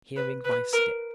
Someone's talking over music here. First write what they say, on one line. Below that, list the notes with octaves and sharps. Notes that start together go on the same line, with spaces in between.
Hearing my step!
B4
B4
A#4